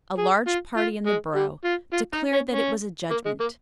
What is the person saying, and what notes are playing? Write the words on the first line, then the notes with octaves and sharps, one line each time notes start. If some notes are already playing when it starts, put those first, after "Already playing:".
A large party in the borough declared that it was a judgment.
G#4
F4
F4
G#3
G3
F4
F4
D#4
C#4
C#4
A#3
G#3
A#3